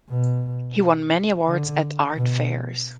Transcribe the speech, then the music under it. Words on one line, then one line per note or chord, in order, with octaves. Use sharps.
He won many awards at art fairs.
B2
D3
B2